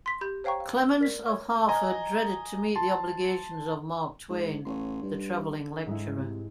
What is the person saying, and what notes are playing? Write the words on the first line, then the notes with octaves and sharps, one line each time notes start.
Clemens of Hartford dreaded to meet the obligations of Mark Twain, the traveling lecturer.
C6 B6
G4 B5 G6
C5 C#5 F5 G5 A#5 C#6
F5
A#4 D5 B6
C#5 C#6
D#5 G#5 A#5
A5 C6
G#2
A1 C#5 C6
G2
D3
G#2 G#3 E4
C3